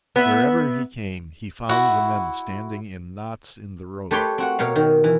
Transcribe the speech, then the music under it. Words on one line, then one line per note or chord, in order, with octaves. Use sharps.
Wherever he came he found the men standing in knots in the road.
B3 E5
E4 F#4
A3 G4 B4 C#5 G5 C6
C4 F#4 F#5
B2 A#4 C#5 F5
D#3
E3